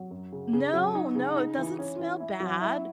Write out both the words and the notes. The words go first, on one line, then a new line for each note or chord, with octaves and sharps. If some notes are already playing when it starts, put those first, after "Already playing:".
No, no, it doesn't smell bad,
Already playing: F#3
F#2
C#3
C#3
F#3
D#4
C#3
D#4
E3
C#4
E3
E4
F#3
E4